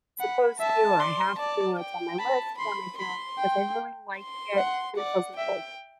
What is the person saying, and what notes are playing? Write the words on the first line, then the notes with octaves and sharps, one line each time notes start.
supposed to or I have to or it's on my list or am I doing it because I really like it and it feels indulgent?
F#5 B5
E5 A5
D5 C6
D5 A5
G5
A5 B5
B5 C6
B5 C6
G5
C6
F#5
D5 F#5
E5 G5